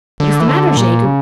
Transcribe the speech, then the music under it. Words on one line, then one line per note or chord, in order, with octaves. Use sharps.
'What is the matter, Jegu?
D3
E3
D3
A#2
C#3